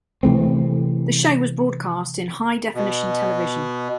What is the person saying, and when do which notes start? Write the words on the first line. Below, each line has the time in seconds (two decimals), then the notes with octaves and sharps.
The show was broadcast in high definition television.
0.23 C3 E3 A3 C4
2.75 B2